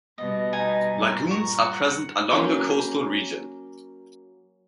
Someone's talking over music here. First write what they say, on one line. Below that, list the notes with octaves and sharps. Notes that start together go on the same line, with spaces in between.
Lagoons are present along the coastal region.
B2 G3 D#5
D#4 G#5 A#5
G2 A#2
A#5 C#6
F#5
F#3 A#3 C#4 G5